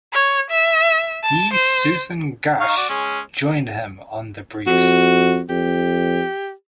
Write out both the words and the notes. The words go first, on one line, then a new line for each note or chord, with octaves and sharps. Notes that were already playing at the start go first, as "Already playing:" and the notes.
E. Susan Garsh joined him on the briefs.
C#5
E5
A5
C5
D#4 F5 C#6
F#4 D5
G#3 C#4
F2 F#4
F2 G4